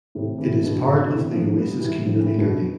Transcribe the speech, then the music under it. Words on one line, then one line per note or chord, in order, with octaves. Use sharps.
It is part of the Oasis Community Learning.
A2 C3
C3 E3
B2 D3
B2 D3
C3 E3
D3 F3
G3 B3
E3 G3
D3 F3
C3 E3
B2 D3